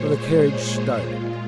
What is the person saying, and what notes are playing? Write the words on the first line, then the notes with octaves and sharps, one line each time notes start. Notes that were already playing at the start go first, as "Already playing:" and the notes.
The carriage started.
Already playing: A#2 G#3 C5 C#5
G#4
G#4
A#2 G#3 F4